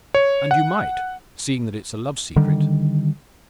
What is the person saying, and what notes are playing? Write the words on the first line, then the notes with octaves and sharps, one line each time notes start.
And you might--seeing that it's a love secret!
C#5
F#5
D3 D#3 G3